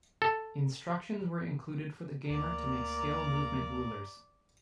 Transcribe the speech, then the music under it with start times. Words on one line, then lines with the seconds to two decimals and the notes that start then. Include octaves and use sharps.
Instructions were included for the gamer to make scale movement rulers.
0.22 A4
2.30 D2 A#3 D5 A#5